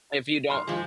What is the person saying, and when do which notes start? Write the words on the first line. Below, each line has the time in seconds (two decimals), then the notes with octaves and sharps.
if you don't
0.50 C6 F6
0.67 F3 G#3